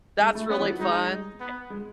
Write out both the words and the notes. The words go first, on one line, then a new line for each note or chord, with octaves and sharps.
that's really fun, eh
G#3
A3
B3 C#4
E3
F#3
G#3 D#4
B3
G#3